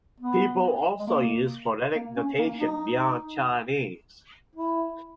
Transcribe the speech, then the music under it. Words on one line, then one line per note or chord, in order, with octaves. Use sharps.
People also use phonetic notation beyond Chinese.
B3
G#3
A#3
A#3
C#4
A#3
D#4
E4